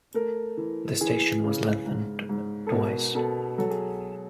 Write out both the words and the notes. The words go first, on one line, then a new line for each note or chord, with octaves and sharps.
The station was lengthened twice.
A3 A#4
E3
E3 G#4
C#3
G#2
G#2
A4
B2 A#4
B2 A4
F#3 A4
G#4